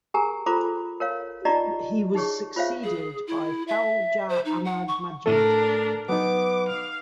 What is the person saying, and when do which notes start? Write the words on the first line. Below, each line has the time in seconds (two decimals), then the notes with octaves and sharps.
He was succeeded by Faujdar Ahmad Majid.
0.14 G4 G#4 A#4 G#5 A#5
0.46 F4 A4 C5 A#5 B5 D6
1.00 A#4 C#5 F5
1.45 D#4 F4 G4 D5 D#5 A#5
2.15 D#4 G4 G#4 C#5 C#6
2.56 F4 C5 C#5 E5 F5
2.84 G#4
3.27 E4
3.68 E5
4.29 C5
4.45 D#4
4.65 F#5
4.88 C#6
5.26 A2 A3 D4 A4 A#4
6.09 F#3 B3 D#4 D6
6.69 F5